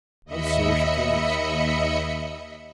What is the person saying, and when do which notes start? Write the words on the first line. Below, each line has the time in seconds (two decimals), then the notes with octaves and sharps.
And so she came east.
0.25 D#2 D#5 E5 B5 C#7